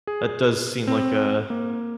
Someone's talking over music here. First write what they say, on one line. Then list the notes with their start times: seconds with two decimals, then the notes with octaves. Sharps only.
that does seem like a
0.07 G#4
0.87 C4
1.50 A#3